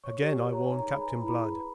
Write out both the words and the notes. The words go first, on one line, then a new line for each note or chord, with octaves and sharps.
Again I warn Captain Blood.
C#5 C#6
G4
C#6
A#4
C#5 A#5
G#5
D#4
A#5
G#4 B5
B4 A#5
E4
B5
G#4
B4